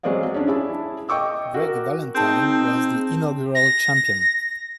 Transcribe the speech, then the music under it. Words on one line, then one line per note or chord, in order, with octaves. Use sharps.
Greg Valentine was the inaugural champion.
F#3 G#3 C4 D5 D#5 F5
C#4 D4
E4 G#4 E5 A5
D#5 G5 C#6 D6 E6
F#4 A#4
C4 D#4 G#4 A5 G6
A#6